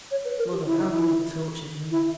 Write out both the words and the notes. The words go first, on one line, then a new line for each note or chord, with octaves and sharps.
Mother, how you have tortured me!
C#5
B4
A#4
G4
E4
D#4
E4
E4